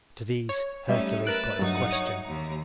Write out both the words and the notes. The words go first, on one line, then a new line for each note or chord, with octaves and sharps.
To these Hercules put his question.
C#5
G3 A3 C#4 D#4 E5
A#4 B4 E6 F#6 A6 D7
G2 F#3 D#4 F#5
C#5 D#6
D#2 A#5